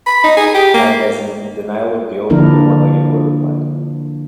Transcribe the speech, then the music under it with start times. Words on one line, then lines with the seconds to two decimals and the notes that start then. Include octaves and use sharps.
And as in denial of guilt, the one-legged boy replied.
0.06 B5
0.24 D#4
0.37 G#4
0.54 G4
0.74 A#3
2.30 D3 F3 A#3 D4 E4 A#4